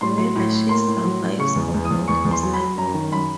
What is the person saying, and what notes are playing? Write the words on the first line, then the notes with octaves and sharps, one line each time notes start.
Whether she survives or not is unknown.
A2 C6
F#3
A2
A2
A#3 C6
A2
F#3
A2
C#3 C#6
E2
E2
D#6
E2
E2 C#6
E2
C6
F#3
B5
F#3
F#2 A#5
D#3
F#2 B5